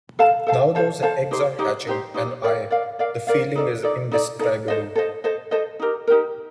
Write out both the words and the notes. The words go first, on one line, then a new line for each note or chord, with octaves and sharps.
Now those eggs are hatching and I... the feeling is indescribable.
A4 C5 F5 A5
A4 C5 F5 A5
A4 C5 F5 A5
A4 C5 F5 A5
D#4 G4 C5
D#4 G4 C5
D#4 G4 C5
D#4 G4 C5
A#4 D5 F5
A#4 D5 F5
A#4 D5 F5
A#4 D5 F5
D#4 A4 D5
D#4 A4 D5
D#4 A4 D5
D#4 A4 D5
A4 C5 D#5
A4 C5 D#5
A4 C5 D#5
A4 C5 D#5
D#4 G4 A#4
D#4 G4 A#4